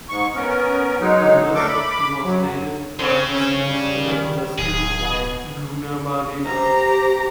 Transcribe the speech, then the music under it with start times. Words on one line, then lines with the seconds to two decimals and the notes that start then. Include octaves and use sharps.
In this he was aided by his Minister, Leslie Goonawardena.
0.09 G#2 C#6
0.35 B3 C#4 A#4
1.00 F#3 G#3 D#4
1.54 A3 D4 A4 A#4 D6
1.69 B5 D6
2.23 F#2 F#3
2.99 C#3 C4
3.31 C#4
3.68 G3
4.08 D#3
4.59 D1 G#4
5.01 B2
6.46 G4 C5 A#5